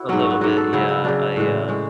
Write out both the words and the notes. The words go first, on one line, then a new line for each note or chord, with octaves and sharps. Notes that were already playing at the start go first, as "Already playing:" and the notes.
A little bit, yeah. I, um,
Already playing: E4 F#4
G#2 F#3 C#4
A3
B3
G#2 F#3 F#4
A4
C#3 F#3 E4
E4
C#3 F#3 D4
A2 E3 G#3
A2 E3 G#3 C#4